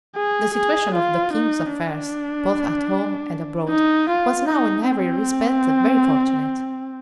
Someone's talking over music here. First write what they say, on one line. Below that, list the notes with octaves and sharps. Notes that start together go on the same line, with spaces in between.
The situation of the king's affairs, both at home and abroad, was now in every respect very fortunate.
G#4
G#4
F4
D#4
D4
D#4
F4
D#4
C4